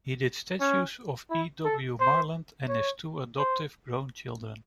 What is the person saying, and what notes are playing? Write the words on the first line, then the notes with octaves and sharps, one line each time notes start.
He did statues of E. W. Marland and his two adoptive grown children.
C#4
E4
A4
C5
C#5
C5